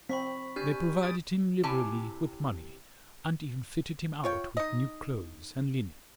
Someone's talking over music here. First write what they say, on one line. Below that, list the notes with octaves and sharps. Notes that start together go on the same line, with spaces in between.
They provided him liberally with money and even fitted him out with new clothes and linen.
C4 B5 C#6 B6
D4 G4 F6 G6 D#7
D#6 A6 D7
C3 E4 G4 C#5 G#5 A5
F4 C#5 G5
D#4 D#5